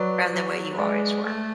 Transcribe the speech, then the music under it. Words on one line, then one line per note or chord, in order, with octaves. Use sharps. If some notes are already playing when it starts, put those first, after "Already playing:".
from the way you always were.
Already playing: F#3 B4 D5
F#3
G#3 B4 D5
A3